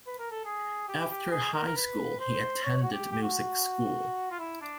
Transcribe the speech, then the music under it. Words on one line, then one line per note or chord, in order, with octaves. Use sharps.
After high school, he attended music school.
B4
A#4
A4
G#4
G4
G4
G#4
A#4
A#4
B4
C5
C#5
F#4
G4
G4
F#4
F4
E4
D4